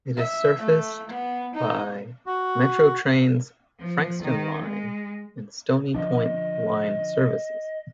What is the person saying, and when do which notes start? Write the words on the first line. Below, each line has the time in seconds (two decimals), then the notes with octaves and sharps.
It is serviced by Metro Trains' Frankston line and Stony Point line services.
0.17 E5
0.61 A3
1.09 B3
1.54 D#4
2.26 F#4
3.80 F3
4.23 D#3
4.64 G#3
5.95 D3 F3 D4 D#5